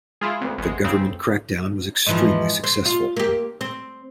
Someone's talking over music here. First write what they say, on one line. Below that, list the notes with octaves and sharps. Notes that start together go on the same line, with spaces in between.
The government crackdown was extremely successful.
G#3 E4 F4 G#4
D2 C4 B4
A1 E2 G#3
F2 C#3 C4
B4
G#2 E3 F3
C4
F4
A#3 G4
C4